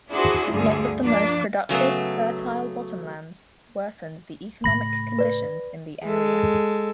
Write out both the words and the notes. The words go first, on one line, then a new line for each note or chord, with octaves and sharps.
Loss of the most productive, fertile bottomlands worsened the economic conditions in the area.
D4 E4 F#4 G#4 C5
D2 G2 D3 G#4
F3 A#3 D4
C#3 F#3 A3 B3
A2 C#3 B5 A#6
B4 D5
G#3 A4